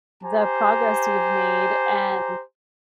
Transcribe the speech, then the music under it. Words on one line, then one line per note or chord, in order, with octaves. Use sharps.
the progress you've made and
G4 C5 G#5 A#5